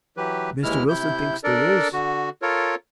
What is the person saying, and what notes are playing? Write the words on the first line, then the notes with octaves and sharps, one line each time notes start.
Mr. Wilson thinks there is.
E3 F#3 G4 B4
D#2 E3 G#3 E4 F6
C3 E4 G6
D4 A4 A#4 D5
D3 F#4
F4 A4 A#4 C#5